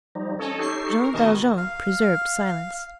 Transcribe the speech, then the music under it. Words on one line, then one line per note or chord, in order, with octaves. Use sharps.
Jean Valjean preserved silence.
F3 G3 D#4
C#4 A4 C#5 D#5
D#4 G4 A4 C#6 C7
A#4
B2 D#3 D#5 A5 C#6
F5